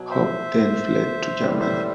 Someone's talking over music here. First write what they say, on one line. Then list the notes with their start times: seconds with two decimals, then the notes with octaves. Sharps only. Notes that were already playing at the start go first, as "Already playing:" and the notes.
Hopp then fled to Germany.
Already playing: B2 F#3
0.10 C5 E5
1.40 A2 E3 G3
1.60 C5 E5